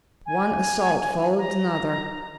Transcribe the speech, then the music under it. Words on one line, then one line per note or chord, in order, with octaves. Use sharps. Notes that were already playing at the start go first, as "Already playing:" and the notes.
One assault followed another.
G#5
A#5